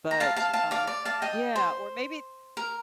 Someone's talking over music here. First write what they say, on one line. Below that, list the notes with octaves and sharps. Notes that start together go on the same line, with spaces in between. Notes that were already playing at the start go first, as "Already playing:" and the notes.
But, uh Yeah, or maybe
A#5
F5 A5
F5 A5
F5 A5
D5 F5
D5
F5 A5
D#5 G5
C5
A#4